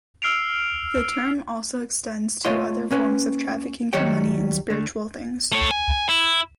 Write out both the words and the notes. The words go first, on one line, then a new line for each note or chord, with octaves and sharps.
The term also extends to other forms of trafficking for money in spiritual things.
E6 F6 C7 D7 F7
A3 F4 C#5 D#5 F5 C6
A#3 C#4 B4
D#3 F#3 G3 C#5 G5
D3 A3
A3 C#5
G#5
E4